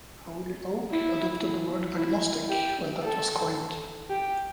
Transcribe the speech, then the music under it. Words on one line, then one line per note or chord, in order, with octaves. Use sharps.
Holyoake adopted the word "agnostic" when that was coined.
E4
E4
G4
A4
G4